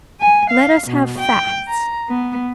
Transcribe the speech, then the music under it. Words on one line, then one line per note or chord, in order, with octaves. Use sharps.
Let us have facts.
G#5
F5
B2
G5
A#5
B3